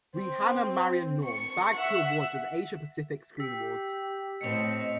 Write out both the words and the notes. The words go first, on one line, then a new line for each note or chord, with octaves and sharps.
Rehana Maryam Noor bagged two awards at Asia Pacific Screen Awards.
C4
C#6 C#7
E5 F#5
G4 E6 B6
A2 C4 D#5 C#7 F7